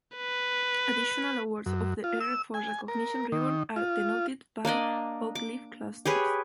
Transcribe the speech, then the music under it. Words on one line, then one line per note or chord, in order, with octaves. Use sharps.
Additional awards of the Air Force Recognition Ribbon are denoted by oak leaf clusters.
B4
F#2
F4
E6
G#5
A#4
D#3
F4
A#3 D4 D5 D#5
D6
G4 G#4 B4 C#5